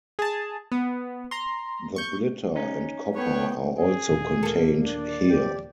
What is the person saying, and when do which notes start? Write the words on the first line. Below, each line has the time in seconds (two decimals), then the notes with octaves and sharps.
The Blitter and Copper are also contained here.
0.19 G#4 A5
0.72 B3
1.31 A#5 C6
1.96 C#6 G6
2.56 C#4 D#4
3.16 B3 A4 B4 C#5 G5
3.79 G#4
4.11 D#2 A#2 D3
4.43 A#3 A4
4.80 D4 D5
5.25 G4